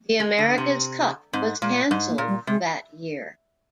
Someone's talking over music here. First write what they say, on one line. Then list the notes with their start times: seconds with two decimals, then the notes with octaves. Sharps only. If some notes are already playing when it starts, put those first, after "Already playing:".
The America's Cup was cancelled for that year.
0.20 G#3
0.38 D3
0.58 C3
1.33 G#2 C4
1.62 A#2 G#3
1.90 G#2 G3
2.09 A#3
2.18 A#2
2.28 G3
2.47 C3 G#3